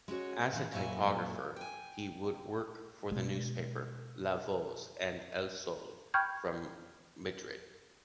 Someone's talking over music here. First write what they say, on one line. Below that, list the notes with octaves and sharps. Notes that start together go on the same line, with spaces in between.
As a typographer he would work for the newspapers “La Voz” and “El Sol” from Madrid.
G#3 C#4 F#4 C#5
A#2 D3 E3 G#3
F#2 A#2 F#3 E4 A4 G#5
G5 G#5
B2 G#3
G5 B5 C#6 F6 G6 G#6